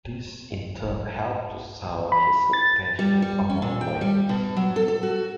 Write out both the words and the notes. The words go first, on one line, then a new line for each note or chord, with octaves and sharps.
This in turn helped to sour his reputation among Loyalists.
B5
A6
G3
G3
C#4
A#2
G5
G3
B2
F#3
A4
A4
F#4